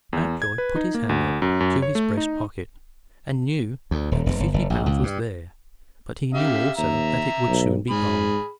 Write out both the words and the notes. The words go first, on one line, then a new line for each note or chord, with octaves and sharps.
Mountjoy put his hand up to his breast-pocket, and knew that the fifty pounds was there, but he knew also that it would soon be gone.
E2
G#6
B4
D#4
A#3
D2
F#2
F#2
C#5
A3
D#4
D2
D#1
E1
G1
F#1
A#1
C#2
G2
C#4 G4 E5 F5
D#2 E5 A#5
B1
G#2 G#4 B5